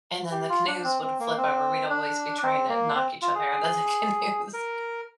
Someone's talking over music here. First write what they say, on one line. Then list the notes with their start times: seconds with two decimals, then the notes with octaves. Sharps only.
and then the canoes would flip over. We'd always be trying to knock each other out of the canoes
0.31 G4
0.49 F4
0.67 D4
0.84 C4
1.02 C4
1.20 A#3
1.38 C4
1.90 D4
2.43 C4
2.69 A#3
2.95 C4
3.22 F4
3.35 G#4
4.53 A#4